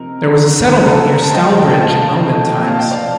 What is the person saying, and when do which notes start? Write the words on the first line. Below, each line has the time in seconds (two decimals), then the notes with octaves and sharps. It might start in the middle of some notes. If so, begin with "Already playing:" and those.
There was a settlement near Stalbridge in Roman times.
Already playing: C3 F3 C4 D#4 A#4
0.60 D#3 A#3 D4 A#4
0.75 A#4
0.85 A4 C5
1.10 A#4
1.22 A5
1.33 D#5 G5
1.57 D3 A3 D4 D#5 G5
1.69 D#5 G5
1.82 F5 A5
1.94 F5 A5
2.55 C3 F3 A#3 D#4 D#5 G5
2.67 F5 A5
2.79 D#5 G5
2.91 D5 F5